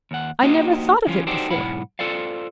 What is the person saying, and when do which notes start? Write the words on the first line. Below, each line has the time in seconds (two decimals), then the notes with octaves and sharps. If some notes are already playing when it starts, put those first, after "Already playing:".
I never thought of it before.
0.11 D#2 F#5
0.43 A#3 D#4 F#4 G4 C5 D#5
1.07 E3 F3 B3 C#4 F4
1.27 D#4 F#4 G4 A4 C5 D5
1.51 B1 G#2 F#3 E4 F#5 B5
1.99 F4 A4 C5 D5 F5